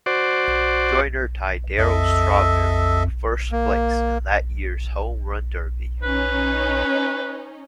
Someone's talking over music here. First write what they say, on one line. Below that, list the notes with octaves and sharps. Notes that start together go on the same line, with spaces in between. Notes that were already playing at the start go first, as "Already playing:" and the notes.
Joyner tied Darryl Strawberry for first place in that year's Home Run Derby.
F#4 C5 D5
F2 A4 D#5 E5
A#3
C#4 D#4 B4